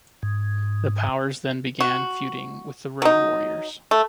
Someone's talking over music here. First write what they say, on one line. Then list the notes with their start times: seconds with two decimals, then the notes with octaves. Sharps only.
The Powers then began feuding with The Road Warriors.
0.23 G#2
1.80 F#4
3.02 F#3 D#4
3.91 A3